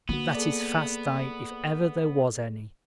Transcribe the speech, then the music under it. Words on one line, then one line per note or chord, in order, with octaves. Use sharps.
That is fast dye if ever there was any.
D3 A#3 B3 F#4
G#4 A4 D5